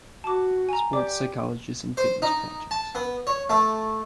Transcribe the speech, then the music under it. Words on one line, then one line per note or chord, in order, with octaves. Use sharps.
Sports psychologist in fitness projects.
F#4 A5 D6
G#5 A#5
G4 D5 D6
C5
D#4
A5
B3
C#5
A3